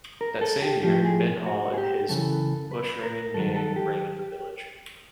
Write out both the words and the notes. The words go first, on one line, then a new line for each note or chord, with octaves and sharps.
That same year, Ben Hall and his bushranging gang raided the village.
A#4
A4
G4
A2 F3 G4
G#4
F#4
G#4
G4
F#2 C#3 E3 A4
B4
A#4
G2 D#3 F#3 A4
A4
G4